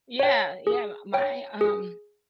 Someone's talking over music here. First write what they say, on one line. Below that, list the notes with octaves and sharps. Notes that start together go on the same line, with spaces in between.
Yeah, yeah, my, um
C#5 G5
G#4
C#5 G5
G#4